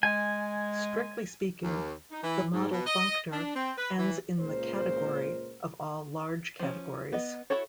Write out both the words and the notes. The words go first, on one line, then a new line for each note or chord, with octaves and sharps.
Strictly speaking, the model functor ends in the "category" of all large categories.
G#3 G#5
D#2
D#4
E3
G#2
B2
D#5
D4
C4
B4
E3
C#2 A#2 A#4 C5
F3 C#4
B3 D#5
E4 F#4 A4 C#5